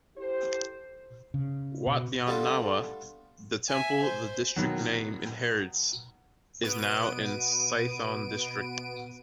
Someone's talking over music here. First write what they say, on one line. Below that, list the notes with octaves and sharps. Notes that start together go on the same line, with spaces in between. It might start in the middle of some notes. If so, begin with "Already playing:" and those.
Wat Yan Nawa, the temple the district name inherits, is now in Sathon District.
E4 G4 A4 C5
C#3
B2
G3 A3 B3 D4 F4 A4
E5 G#5
C5
B2 D#3 F#3
B2 B3 D7 D#7